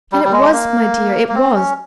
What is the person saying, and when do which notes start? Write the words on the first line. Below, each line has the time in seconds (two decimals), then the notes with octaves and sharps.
'And it was, my dear, it was!
0.12 G3
0.24 G3
0.33 G#3
0.53 A#3
1.28 A#3
1.35 C4
1.55 C#4